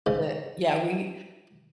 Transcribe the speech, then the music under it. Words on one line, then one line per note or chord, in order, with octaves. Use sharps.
Th Yeah, we
G#2 C#3